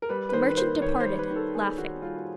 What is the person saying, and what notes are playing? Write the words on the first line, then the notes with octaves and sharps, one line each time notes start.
The merchant departed, laughing.
A#4
G3 B4
B4
D#3 C5
B4
A#3 C5
D#3 C#5
C5
G3
B4
D#3
A4
A#3 G#4
D#3 F#4
G3 F4
F#4